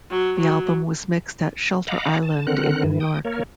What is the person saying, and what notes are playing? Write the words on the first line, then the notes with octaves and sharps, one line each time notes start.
The album was mixed at Shelter Island in New York.
F#3
F#3
D#5 F5 F#5 A#5 B5 D6
A5
D3 C4 A#4 F#5 F#6
G2 E3
G5 D#6
A#3 A#4 C#5